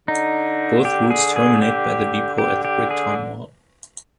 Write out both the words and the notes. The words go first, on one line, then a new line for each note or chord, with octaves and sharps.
Both routes terminate by the depot at the Bricktown Mall.
D3 D#4
G4
G#4
G#4
G4
D3 G4
G4
G#4